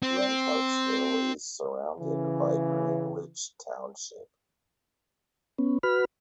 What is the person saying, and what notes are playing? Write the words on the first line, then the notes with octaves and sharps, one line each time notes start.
Lenhartsville is surrounded by Greenwich Township.
C4
C#3 E3
B3 C#4
F#4 B4 B5 F6